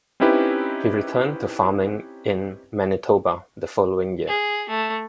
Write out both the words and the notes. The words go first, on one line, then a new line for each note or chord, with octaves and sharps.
He returned to farming in Manitoba the following year.
C4 C#4 D#4 E4 G4 B4
G#4
A3